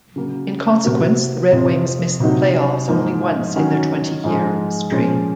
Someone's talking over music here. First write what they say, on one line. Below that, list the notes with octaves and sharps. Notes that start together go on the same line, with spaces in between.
In consequence, the Red Wings missed the playoffs only once in their twenty-year history.
C#3 F#3 A#3
C3 F#3 C4 F#4 A#4
F2 C3 F3 C4 F4
C3 F#3 A#3 D#4 F#4
G#2 F3 A#3 D#4
D#3 F#3 C#4 F#4 C#5
G#2 F3 G#3
A#2 F3 G#3 C#4 G#4